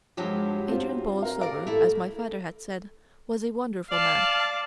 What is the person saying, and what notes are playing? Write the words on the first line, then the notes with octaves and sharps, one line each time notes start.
Adrian Borlsover, as my father had said, was a wonderful man.
G2 F3 F#3 G#3 G4
C4 F4
A#4 F5
A#4 D5 F5
A2 A3 E4
D5 F5 A5